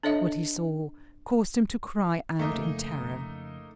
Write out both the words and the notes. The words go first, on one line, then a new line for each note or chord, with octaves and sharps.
What he saw caused him to cry out in terror.
D4 A4 C#5 D#5 E5
F2 C#3 A3 A#3 D#4